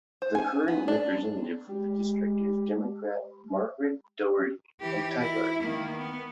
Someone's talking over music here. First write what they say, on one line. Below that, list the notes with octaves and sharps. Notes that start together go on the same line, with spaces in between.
The current representative for the district is Democrat Margaret Doherty of Tigard.
C5
G#5
B3
D4
G#3 G4
E3 G4
E4
D#3 A#3
B3